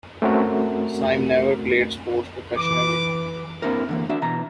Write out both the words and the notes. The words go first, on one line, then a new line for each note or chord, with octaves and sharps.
Sime never played sports professionally.
A3 C4 C#4 F#4 A#4
E3 D6
A#3 C4 D4 E4 A#4
D3 E3 A#3
D4 F#4 E5
B2 E3 A#5